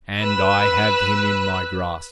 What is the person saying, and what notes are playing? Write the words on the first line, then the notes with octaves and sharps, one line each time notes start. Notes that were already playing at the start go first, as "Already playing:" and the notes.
And I have him in my grasp!
B4 B5 E6 F#6